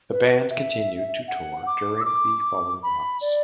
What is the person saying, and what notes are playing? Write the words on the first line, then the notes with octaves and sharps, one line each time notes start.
The band continued to tour during the following months.
B4
E5
F#5
D6
E6
D6
B5
D5